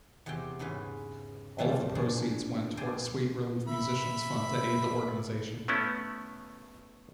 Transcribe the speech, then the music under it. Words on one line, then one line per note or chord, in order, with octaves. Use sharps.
All of the proceeds went toward Sweet Relief Musicians Fund to aid the organization.
E2 C3 G4 C5 G5
G#2 C#3 E3 B4
E3 F3 G3 A3 C4 C#4
A#2 F3 D4 G#4
C3 G#4 C5 D5 G5 A5
E5 B5
A3 B3 C#4 E4